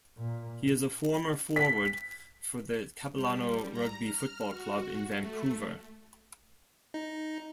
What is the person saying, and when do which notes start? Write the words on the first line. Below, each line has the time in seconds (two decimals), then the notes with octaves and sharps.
He is a former forward for the Capilano Rugby Football Club in Vancouver.
0.17 A#2
1.56 B6
3.13 G3
3.71 A#5
4.05 F6
4.50 F#4
5.15 A3
6.94 D#4